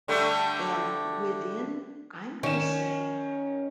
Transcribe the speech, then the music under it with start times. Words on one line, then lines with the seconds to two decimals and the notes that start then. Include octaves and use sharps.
And within, I'm gonna say,
0.08 D3 G3 A3
2.43 D#3 C#4 E7